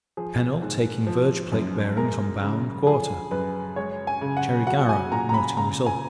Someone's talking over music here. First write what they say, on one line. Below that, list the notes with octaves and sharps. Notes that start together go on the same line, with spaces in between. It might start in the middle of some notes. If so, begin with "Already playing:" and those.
Pennell taking verge plate bearings on bow and quarter. Cherry-Garrard noting results.
F3 G#4
G#2
F3
F#2
G#3 A#4
C#3
F3 G#4
F#2 B4
G#3 C#5
G#5
C#3
F#5
F#3 F#5
G#5
A#2 A#5
A#5
B5
C#3 A#5
G#5